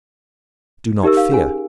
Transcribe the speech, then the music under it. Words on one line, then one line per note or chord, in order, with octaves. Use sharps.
Do not fear.
D#4 G4 A#4 E5 E6
F5
C#4 G#4 G#5